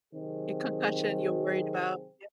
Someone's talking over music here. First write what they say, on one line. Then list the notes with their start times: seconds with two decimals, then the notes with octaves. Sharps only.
A concussion you're worried about, yep.
0.14 C3 D#3 F#3 C4 G#4